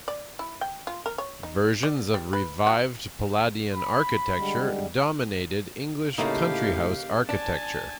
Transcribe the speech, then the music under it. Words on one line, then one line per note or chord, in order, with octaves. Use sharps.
Versions of revived Palladian architecture dominated English country house architecture.
D5
E4
G5
F4
A#4
C#5
D#4
D5
G3
B4
F#4
B5
D3 G3 G#3
C#2 A2 C#3 A3 A#3 D#4 G4 F5
D4 G#5 A5